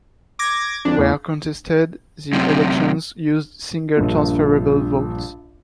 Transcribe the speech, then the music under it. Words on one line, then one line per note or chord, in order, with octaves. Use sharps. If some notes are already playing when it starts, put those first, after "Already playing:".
Where contested, the elections used single transferable vote.
D6 G#6 A#6
F2 D4
E2 A2
F#2 C3
A#1 G2 A#2